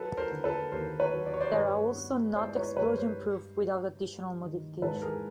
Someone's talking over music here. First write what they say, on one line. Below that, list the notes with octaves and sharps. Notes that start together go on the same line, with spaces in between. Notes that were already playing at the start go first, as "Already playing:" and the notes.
They are also not explosion proof without additional modifications.
Already playing: F#3 A4 B4
A#4 C5
D3
A4 B4
D#2 A#4 C5
B4 C#5
F#3
D5
C#5
C5 D5
G2 B4 C#5
B3
G#3 C5 D5
B4 C#5
G2 B4 C#5
A#4 C5
G3
F#2
G3
D#3
G#2 A4 B4
G#4 A#4